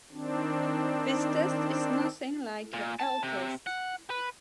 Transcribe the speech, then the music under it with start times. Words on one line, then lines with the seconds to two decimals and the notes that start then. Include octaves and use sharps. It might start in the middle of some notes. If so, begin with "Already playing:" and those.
The test is nothing like an L-test.
0.12 D#3 C4 D4
2.73 A#2
2.99 A5
3.23 C3
3.67 F#5
4.10 B4